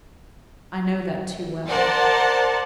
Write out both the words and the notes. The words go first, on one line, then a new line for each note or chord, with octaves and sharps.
I know that too well.
A#4 C5 D5 F#5 A5